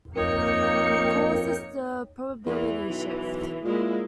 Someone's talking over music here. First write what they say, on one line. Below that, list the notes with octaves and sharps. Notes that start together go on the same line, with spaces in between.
He calls this the "probability shift".
F2 A#3 D#4 A#4 C#5 G5 C#7
E2 E3
B1
A#2 G#3 A#3 E4